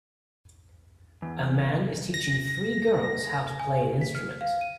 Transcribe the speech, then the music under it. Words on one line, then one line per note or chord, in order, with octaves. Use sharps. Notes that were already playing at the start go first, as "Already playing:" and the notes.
A man is teaching three girls how to play an instrument.
E2
A#6
G#5
G4
B6
F6
F5
D#7